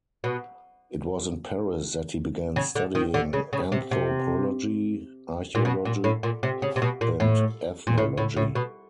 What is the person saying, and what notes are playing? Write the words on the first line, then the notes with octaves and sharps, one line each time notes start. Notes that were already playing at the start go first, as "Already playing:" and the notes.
It was in Paris that he began studying anthropology, archaeology and ethnology.
B2
C#3
D3
D#3
D3
C#3
C#3
C3
C3
A#2
B2
A#2
A2
A#2
C3
C#3
C3
B2
A#2
A2
A#2
A2
A2
A2
B2